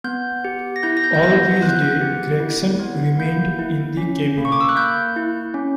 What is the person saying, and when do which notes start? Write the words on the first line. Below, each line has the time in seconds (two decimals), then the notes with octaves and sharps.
All this day Gregson remained in the cabin.
0.04 B3 G6
0.45 G4
0.76 A#6
0.83 E4 G6
0.97 A#6
1.04 G6
1.15 G6
1.22 B3 A#6
1.43 G6
1.62 B3 F#6
1.69 G6
1.77 F#6
2.01 G4
2.40 E4
2.79 B3
3.19 A#3 G6
3.59 E4
3.97 C#4
4.38 A#3
4.45 C#6
4.52 D6
4.61 E6
4.69 F#6
4.76 A#3 G6
5.16 E4
5.54 C#4